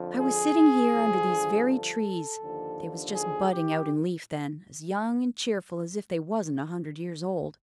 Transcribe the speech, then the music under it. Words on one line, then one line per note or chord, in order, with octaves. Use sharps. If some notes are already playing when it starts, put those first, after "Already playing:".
I was sitting here under these very trees--they was just budding out in leaf then, as young and cheerful as if they wasn't a hundred years old.
Already playing: F2 D3 F3
G#4
G2 D3 F3
A4
D#2 D3 F3
G#4
G4